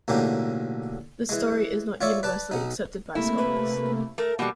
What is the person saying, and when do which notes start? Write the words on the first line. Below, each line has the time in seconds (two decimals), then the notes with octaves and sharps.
This story is not universally accepted by scholars.
0.08 B1 A2 D3 A#3 G4
1.29 E3 G#3
2.01 F4 C#5 D5 E5
2.23 B4 D5 A5
2.51 B1 D#4
3.15 C3 A3 A#3 E4
3.38 B4
4.18 A3 A#4
4.39 B2 G3 A#3 F#5